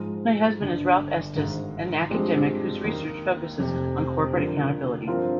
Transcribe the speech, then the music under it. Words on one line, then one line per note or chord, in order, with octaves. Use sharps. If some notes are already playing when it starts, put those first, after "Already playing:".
Her husband is Ralph Estes, an academic whose research focuses on corporate accountability.
Already playing: G#2 F3 G#3
G1 G2 D3
G#1 G#2 D#3
G2 F3 G#3 C4 G4
D#2 D#3 A#3 D#4
F1 F2 C3
D3 F3 A#3
G2 F3 C4 F4 A#4